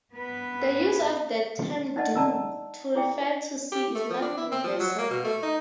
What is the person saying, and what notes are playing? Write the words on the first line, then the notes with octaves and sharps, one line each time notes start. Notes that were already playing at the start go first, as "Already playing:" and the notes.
The use of the term "Do" to refer to C is not universal.
B3 B4
D4 D#4 D5 D#5 F#5 A5
D5 A5 A#5 E6
E4 G#4 D5 G5
G4
A3
F3
D4
E4
C4
F3
F#3
A#3
B2
A3
D#4